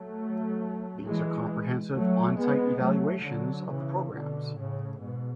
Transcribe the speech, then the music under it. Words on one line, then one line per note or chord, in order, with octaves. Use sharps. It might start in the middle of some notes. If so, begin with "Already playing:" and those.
These are comprehensive on-site evaluations of the programs.
Already playing: F#3 A3
E3 G#3
F#3 A3
G#3 B3
F#3 A3
D3 F#3
C#3 E3
B2 D3
A2 C#3
G#2 B2